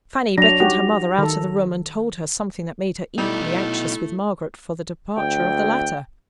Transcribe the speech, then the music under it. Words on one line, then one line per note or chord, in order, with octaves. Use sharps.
Fanny beckoned her mother out of the room, and told her something that made her equally anxious with Margaret for the departure of the latter.
F#3 D4 A#6 F7
D#4 F#4 G4
D#3 A4
B2 G3 A3 D#4 E4
D2 G5